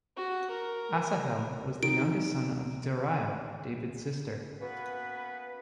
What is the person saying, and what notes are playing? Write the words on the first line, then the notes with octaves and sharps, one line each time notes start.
Asahel was the youngest son of Zeruiah, David's sister.
F#4
A#4
D#3 D7
A#3 B3 C#4 F#4 B4